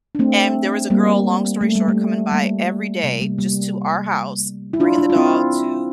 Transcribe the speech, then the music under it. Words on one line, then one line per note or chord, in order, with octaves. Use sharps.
And there was a girl, long story short, coming by every day just to our house, bringing the dog to,
D4
A3 C4
G3 A#3
A3
G3
A3
G3 A#3
C3
G3 A#3
G3 A#3
E4
D4 F4
D4 F4
F4
C4 E4